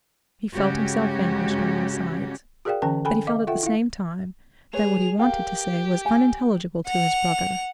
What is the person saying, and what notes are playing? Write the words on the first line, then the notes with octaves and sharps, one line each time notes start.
He felt himself vanquished on all sides, but he felt at the same time that what he wanted to say was unintelligible to his brother.
G2 C#3 G#3 C#4 F#4 G4
F#4 G#4 A#4 D5 F5 G5
D3 E3 C#4 A#4 G5 A5
A4 G5 G#5 B5
D#5 F5 D6
F4 A4 E5 F#5 G5
E4 F5
G#4 B4 C#5 F7
G4 A#4 F5 G5
F#5 G#5
F#5 F7